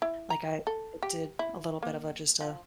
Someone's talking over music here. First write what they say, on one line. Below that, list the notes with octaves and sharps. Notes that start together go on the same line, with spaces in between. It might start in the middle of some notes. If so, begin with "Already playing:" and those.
like, I I did a little bit of a just a,
E4
A#5
A4
G4
E4
A#3
F3